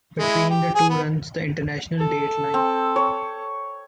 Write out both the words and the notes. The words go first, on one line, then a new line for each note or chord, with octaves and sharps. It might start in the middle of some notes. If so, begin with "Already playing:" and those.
Between the two runs the International Date Line.
G#3 E4
G4
G#4 G#5
B3
A4
C4
C#5